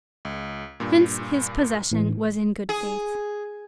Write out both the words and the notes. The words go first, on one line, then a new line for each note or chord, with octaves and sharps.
Hence his possession was in good faith.
C#2
G2 A#2
A2 E3
G#4